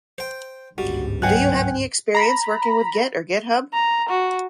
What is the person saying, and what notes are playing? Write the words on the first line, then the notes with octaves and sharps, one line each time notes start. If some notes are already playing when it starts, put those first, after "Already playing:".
Do you have any experience working with git or github?
C5 G5
G1 C#2 G#2 G3 F#4
B2 F#3 G5 G#5 F#6
A#5 B5
A#5
F#4